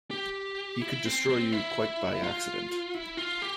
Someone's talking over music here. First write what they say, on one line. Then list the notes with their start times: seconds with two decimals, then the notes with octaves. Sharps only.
He could destroy you quite by accident.
0.11 G4
0.81 E4
1.05 C4
1.29 C4
1.52 E4
2.23 F4
2.95 E4
3.17 F4
3.42 G4